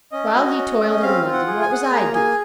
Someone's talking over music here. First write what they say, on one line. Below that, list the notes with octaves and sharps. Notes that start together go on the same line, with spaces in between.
While he toiled in London, what was I doing?
C#4 D#5
F#4
C#4
C#4
D#5
C4 F5
F4
F#5
G#4
G#5
G#4 F#5
G#5
A#3 A#5
G#4 G#5